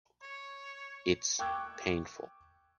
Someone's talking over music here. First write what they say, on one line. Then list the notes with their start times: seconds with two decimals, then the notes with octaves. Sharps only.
It’s painful.
0.22 C#5
1.39 G5 C#6 D6 E6 F#6 G#6